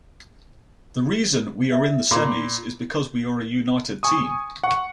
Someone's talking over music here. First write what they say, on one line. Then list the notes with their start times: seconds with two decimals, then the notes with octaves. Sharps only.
The reason we are in the semis is because we are a united team.
1.72 E5
2.11 A#2 B5 C6 D6
4.03 G#5 C#6 D#6
4.64 F#5 C#6